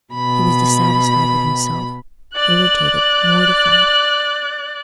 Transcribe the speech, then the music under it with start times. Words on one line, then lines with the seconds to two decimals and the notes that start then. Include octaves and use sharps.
He was dissatisfied with himself, irritated, mortified.
0.13 B2 B5
2.34 D5 F#6